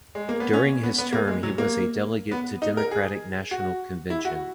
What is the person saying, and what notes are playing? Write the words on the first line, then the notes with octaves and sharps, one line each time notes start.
During his term he was a delegate to Democratic National Convention.
G#3
A#3
B3
C#4
B3
B3
A#3
G#3
F#3
A#3
B3
D#4
A#4
G#4
F#4
E4
F#4